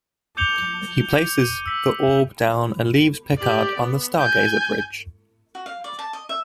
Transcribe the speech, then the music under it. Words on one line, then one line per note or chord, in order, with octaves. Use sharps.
He places the orb down and leaves Picard on the "Stargazer" bridge.
D6 G6 C#7 F7 G7
D#7
E6 B6
G4 D5
B3
G#5 G6
F#4
F5
D5
A5
D#5
E5